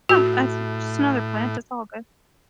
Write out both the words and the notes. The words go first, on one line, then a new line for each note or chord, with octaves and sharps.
yeah, that's just another plant, it's all good.
A2 F#4